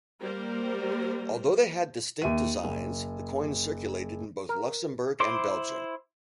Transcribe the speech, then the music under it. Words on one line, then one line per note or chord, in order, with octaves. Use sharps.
Although they had distinct designs, the coins circulated in both Luxembourg and Belgium.
G3 A#3 A#4 C5
D#2 E5 D#7
F#1
A#4
E4 C5 C6 D6